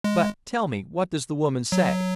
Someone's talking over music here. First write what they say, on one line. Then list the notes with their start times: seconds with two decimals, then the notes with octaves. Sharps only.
"But, tell me, what does the woman say?"
0.04 G#3
1.72 F#3